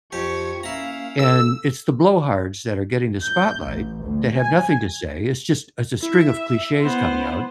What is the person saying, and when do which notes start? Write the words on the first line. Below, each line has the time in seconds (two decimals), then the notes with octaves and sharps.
And it's the blowhards that are getting the spotlight that have nothing to say, it's just it's a string of cliches coming out
0.12 F2 F4 G4 C#6 G#6
0.63 A#3 C#4 E4 F5 A#5
1.19 A4 E6
3.22 G6
3.65 A1
4.04 D2
4.36 G#5
6.03 E4 E5
6.81 B3 C5